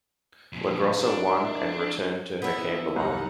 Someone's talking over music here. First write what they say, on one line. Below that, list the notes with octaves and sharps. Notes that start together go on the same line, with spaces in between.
LaGrossa won and returned to her camp alone.
F2 A#2
D4
A#4 D#5 E5
B3 E4
C2 F#2 D#4 F#5 A#5